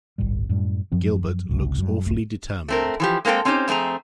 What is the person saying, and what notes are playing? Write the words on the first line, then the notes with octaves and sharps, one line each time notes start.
Gilbert looks awfully determined.
G1 C2 A2 G3
F#2 A2 G3
F#2 F3 F#3 C4
G#1 C#2 C3
F#2 G3
D1 A#1 F#2 A3
A3 C4 A#4
E3 F3 G4
G#3 A#3 C4 A4 G5
C4 C#4 D#4 G4 C5
F2 A3 C4 G#4 A#5